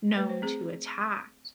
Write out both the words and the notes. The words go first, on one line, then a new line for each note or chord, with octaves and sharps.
known to attacked.
A3 B4
C5
C4 G#4